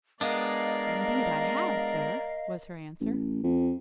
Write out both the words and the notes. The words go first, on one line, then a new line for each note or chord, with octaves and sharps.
"Indeed I have, sir," was her answer.
G#3 B3 D4 A#4 D5 D#5 F5
A1
F2